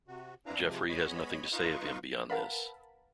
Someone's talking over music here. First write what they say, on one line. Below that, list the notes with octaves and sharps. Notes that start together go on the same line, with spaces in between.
Geoffrey has nothing to say of him beyond this.
C3 F#4
C4 D4 E4 B4 F5 A#5
C3 F3 G#3
G#3 B3 C#5 D#5 B5
D#4 F4 B4 F5 C#6
A#4 B4 F5 F#5 A5 B5